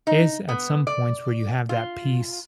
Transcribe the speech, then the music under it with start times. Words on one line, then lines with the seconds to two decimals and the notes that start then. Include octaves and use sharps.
is at some points where you have that peace,
0.07 D#4
0.49 B3
0.87 D5
1.69 F4